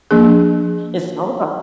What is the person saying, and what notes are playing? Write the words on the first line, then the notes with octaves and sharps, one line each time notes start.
It's all about
F3 A#3 D4 G#4